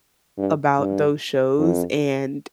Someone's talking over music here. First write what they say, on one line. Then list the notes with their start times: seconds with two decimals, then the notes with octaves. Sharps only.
about those shows, and
0.38 G2
0.79 G2
1.59 F2